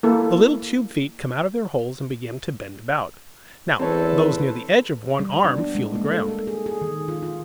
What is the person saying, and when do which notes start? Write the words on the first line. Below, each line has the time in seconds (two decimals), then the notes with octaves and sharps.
The little tube-feet come out of their holes and begin to bend about. Now those near the edge of one "arm" feel the ground.
0.03 A#3 E4 A4
3.79 E2 C4 A4 B4 C#5 A5
5.19 G3
5.44 D4
5.58 B3
5.75 G#3
5.96 A#3
6.11 A4
6.28 A4
6.47 G#4
6.66 G#4
6.81 D#3
7.08 F4
7.23 F4